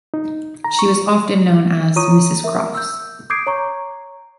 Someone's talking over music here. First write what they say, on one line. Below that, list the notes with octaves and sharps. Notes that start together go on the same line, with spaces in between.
She was often known as "Mrs Crofts".
D#4
A#5
C#6
F4 C#5 A#5 C#6 D#6 D#7
A#4 E5
E6 G6
D6 D#6 G6 G#6 C7 D7
C#5 A#5 C#6